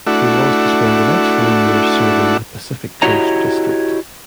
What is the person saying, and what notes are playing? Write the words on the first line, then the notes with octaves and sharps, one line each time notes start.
He was to spend the next four years serving the Pacific Coast district.
A3 D4 E4 F#4
E4 F#4 G4 C#5 D#5 A#5